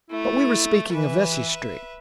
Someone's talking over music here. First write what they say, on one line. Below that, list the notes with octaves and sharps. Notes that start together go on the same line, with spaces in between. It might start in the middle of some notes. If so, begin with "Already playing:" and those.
But we were speaking of Vesey Street.
A3 E4
E3 B4 E5